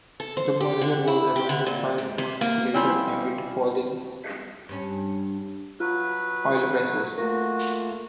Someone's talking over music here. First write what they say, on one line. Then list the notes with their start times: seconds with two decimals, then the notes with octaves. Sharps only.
The merger was abandoned five months later amid falling oil prices.
0.20 A4
0.37 C5
0.61 G4
0.81 D3
1.08 E4
1.36 G4
1.49 D3
1.67 A#2
1.98 G#2
2.18 C3
2.41 A#3
2.74 G3 C4 C#4 E4 F4
4.69 G2 C#4
5.80 F#3 F4 B4
7.18 A3 A#3 F4 F#4 A#4